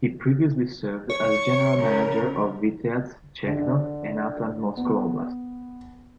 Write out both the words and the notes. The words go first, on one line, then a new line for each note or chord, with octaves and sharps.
He previously served as general manager of Vityaz Chekhov and Atlant Moscow Oblast.
C#5 C#6
C#3 A#4
D3
B3